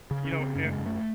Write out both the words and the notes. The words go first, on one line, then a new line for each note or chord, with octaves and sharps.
you know, and
C#3
C#4
C#3
C4
F#2 C#4
A3
G#3
F#2
A3